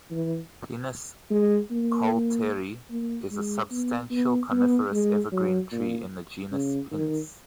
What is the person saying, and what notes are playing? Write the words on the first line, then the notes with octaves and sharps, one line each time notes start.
"Pinus coulteri" is a substantial coniferous evergreen tree in the genus "Pinus".
E3
G#3
A#3
A#3
G#3
B3
B3
B3
G#3
F#3
A#2
C#3
D#3